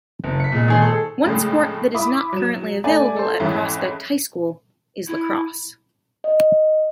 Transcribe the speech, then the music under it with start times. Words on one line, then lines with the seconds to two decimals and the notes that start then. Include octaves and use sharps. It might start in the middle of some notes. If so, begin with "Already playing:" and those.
One sport that is not currently available at Prospect High School is lacrosse.
0.24 F#1
0.40 B6 C#7
0.52 A#2 G#3
0.68 D#3 G#4 C5
0.82 A4
1.23 F2 A2 C#3 G#3
1.94 E4 B5 D6 D#6
2.33 F#3 E7
2.84 A3 D5 G#5
3.16 A4 C5
3.40 F2 G#2 E3 G#3 C#4 E4
5.08 E4
6.24 D#5